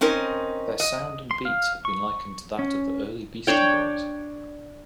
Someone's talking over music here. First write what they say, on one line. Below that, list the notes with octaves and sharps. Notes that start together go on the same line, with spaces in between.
Their sound and beats have been likened to that of the early Beastie Boys.
C4 C#4 D#4 A#4
D#5
C6
F5
C#6
C#4
D4 C#5 G5